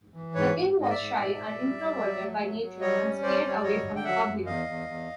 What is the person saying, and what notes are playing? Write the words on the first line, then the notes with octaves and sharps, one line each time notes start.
The king was shy and introverted by nature, and stayed away from the public.
E3
G#2 B4 C#5
G#2
G#2
D#5
D5 E5
G#2
A#2
A#2
G3
G3
F#3
A3
F#3
F#3
G3 C#5 D#5
C#4
G3 C5 D5
G3 C#5
D5
F#3 C#5 D#5
D3
G5
F#3 E5 F#5
F#2
E2 D#5 F5
E2
E2